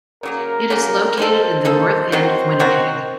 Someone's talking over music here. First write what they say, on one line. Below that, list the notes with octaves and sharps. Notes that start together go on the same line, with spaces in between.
It is located in the north end of Winnipeg.
C#3 F#3 A#3 A#4
C#3 F#3 A#3
A#3 D#4 A4 C5
A#3 D#4 A4
D#3 F#3 C4 F#4 C5
D#3 F#3 C4 F#4